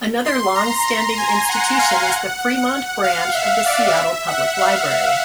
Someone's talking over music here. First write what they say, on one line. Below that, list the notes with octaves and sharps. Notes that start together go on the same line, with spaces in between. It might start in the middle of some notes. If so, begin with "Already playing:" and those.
Another longstanding institution is the Fremont branch of the Seattle Public Library.
C6
A#5
G#5
F#5
F5
F#5
F#5
F5
E5
D5
E5
F#5
F5
E5